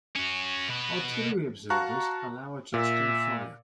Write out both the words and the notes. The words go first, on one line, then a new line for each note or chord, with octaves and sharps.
Artillery observers allow adjusting fire.
C#4 F#4
B2 B4
F#4 F5 A5 A#5 C#6 F#6
A#2 E5